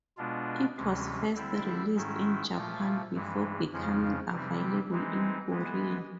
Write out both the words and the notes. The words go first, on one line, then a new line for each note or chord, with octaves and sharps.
It was first released in Japan before becoming available in Korea.
B2 G#3 B3 D4 F4
D2 C3 E3 G#3 C#4
D3 G3 C4 E4
G#2 D#3 G#3 C#4 E4
A#2 F3 A3
G2 E3 G#3
F2 C#3 F3 G#3
C3 E3 G3 C4
E3 G#3 C4 D#4
E3 G#3 B3